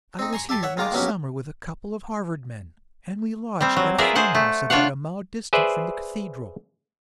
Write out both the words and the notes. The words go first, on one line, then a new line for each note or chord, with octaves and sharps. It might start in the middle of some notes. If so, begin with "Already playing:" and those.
I was here last summer with a couple of Harvard men, and we lodged at a farmhouse about a mile distant from the cathedral.
C4 D#4
G#5 A#5 C6 C#6
G4 E5 A5 C6
C#5 E5 F#5
D#3 G#3 F4 A#5 D6
A#1 B2 F#3 C#4 G4
G3 C4
F#3
F4 G#4 A#4 B4 D5 E5
G#4 C5 F#5
A3
D4 F4 C#5 F5 F#5
G#4 B4 C5 D5 E5